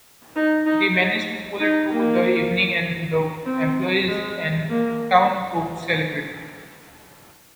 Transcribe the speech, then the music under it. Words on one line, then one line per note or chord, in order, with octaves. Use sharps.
They manage to pull through the evening and the employees and town folks celebrate.
D#4
D#4
D#4
A#3
C4
G#3
A#3